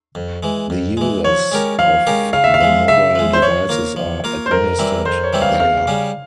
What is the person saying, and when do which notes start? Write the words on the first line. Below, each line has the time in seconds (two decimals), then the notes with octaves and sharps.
The users of the mobile devices are administered there.
0.15 F2
0.43 E3 G#3
0.70 F2
0.97 E3 G#3
1.24 F3 C#5
1.51 G#3 C#4 G4 A#4
1.79 F3 F5
2.07 G#3 C#4 G4 A#4
2.33 C#3 F5
2.44 E5
2.54 F5
2.61 F3 G#3
2.88 C#3 E5
3.15 F3 G#3
3.33 C5
3.42 F3 C#5
3.69 A#3 F4 A#4
3.96 F3
4.24 A#3 F4 A#4
4.46 C5
4.51 F2 A#4
4.79 E3 G3 C4 E4
5.05 F2 C5
5.24 C#5
5.33 E3 G3 C4 E4
5.42 F5
5.60 E2 F5
5.87 C#3 G3 C#4